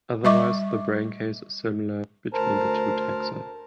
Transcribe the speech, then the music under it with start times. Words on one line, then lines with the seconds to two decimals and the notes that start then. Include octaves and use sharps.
Otherwise the braincase is similar between the two taxa.
0.24 G3 D#5 E5 C#6 D6
2.33 D2 A#4 C5 A5 A#5